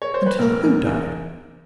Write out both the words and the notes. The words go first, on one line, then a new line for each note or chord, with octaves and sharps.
"Until who died?"
C#5
C5
B4
F1 A#4
E2
E2